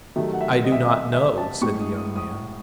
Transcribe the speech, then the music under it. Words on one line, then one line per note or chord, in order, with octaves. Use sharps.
"I do not know," said the young man.
C3 D#3 F#3 A3 E5
F#5
E5
D#5
E5
D#5
E5
E5
A5
A2 G#3 C#6
D#6
D#6
D#6